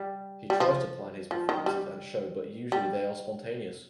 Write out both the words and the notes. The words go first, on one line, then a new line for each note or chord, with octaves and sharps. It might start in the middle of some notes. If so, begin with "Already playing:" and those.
He tries to plan his performances at show but usually they are spontaneous.
Already playing: G3
G3
F3
F3
D#3
G3
G3